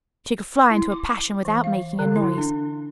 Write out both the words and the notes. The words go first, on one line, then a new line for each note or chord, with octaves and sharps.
She could fly into a passion without making a noise.
E4
D6
E3
F5
D3
E4
D4